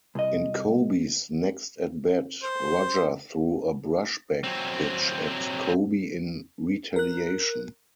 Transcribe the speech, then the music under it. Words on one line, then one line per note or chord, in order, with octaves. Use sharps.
In Koby's next at bat, Roger threw a brushback pitch at Koby in retaliation.
C2 D#5
C5
F#3 C4
A#4 F#6